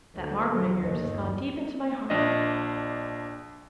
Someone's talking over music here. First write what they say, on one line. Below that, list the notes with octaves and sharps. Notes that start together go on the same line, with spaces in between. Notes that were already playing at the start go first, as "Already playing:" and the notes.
'That Margaret of yours has gone deep into my heart.
D2
F#3
G1 D#2
A#1 D4 D#5